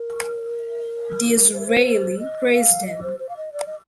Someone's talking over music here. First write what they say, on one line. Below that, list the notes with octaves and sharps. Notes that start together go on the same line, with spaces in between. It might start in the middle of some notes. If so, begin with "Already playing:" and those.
Disraeli praised him.
Already playing: A#4
C5
A#4
C5
D#5
F5
D#5
C5
C5
F5
D#5
D5
D#5